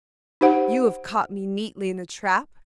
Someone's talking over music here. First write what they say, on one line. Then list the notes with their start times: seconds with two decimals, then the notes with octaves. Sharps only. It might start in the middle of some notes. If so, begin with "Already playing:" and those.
You have caught me neatly in a trap!
0.41 D#4 G4 C5 F#5